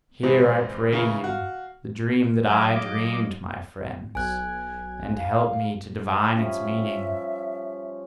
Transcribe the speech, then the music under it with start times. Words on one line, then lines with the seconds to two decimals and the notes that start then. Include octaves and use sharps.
Hear, I pray you, the dream that I dreamed, my friends, and help me to divine its meaning!
0.23 G#2 E3 C4
0.92 C#3 E3 A#4
1.24 F#4 F5
2.48 F#3 D#5 F5 D6 F6 G#6
4.15 B1 G#5 F#6 G#6
5.17 F5
6.37 F3 G3 C#4 E5